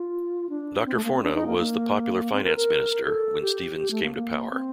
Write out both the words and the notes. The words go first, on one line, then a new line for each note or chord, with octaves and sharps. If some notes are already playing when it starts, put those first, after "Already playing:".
Doctor Forna was the popular finance minister when Steven's came to power.
Already playing: F4
D4
C4
A3
A#3
C4
D4
D#4
A#3
A#3
C4
A#4
A#4
A4
G4
G4
A3
A#3
A#3
C4